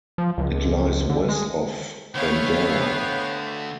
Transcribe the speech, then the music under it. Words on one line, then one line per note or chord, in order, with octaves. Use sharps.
It lies west of Bandera.
F3
C#2
D3
G#3
D3 A3 B3 C#5 F5 G5 F6